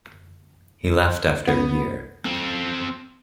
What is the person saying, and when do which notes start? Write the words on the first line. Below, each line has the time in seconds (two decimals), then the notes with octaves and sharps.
He left after a year.
1.47 B3
2.25 C4 A4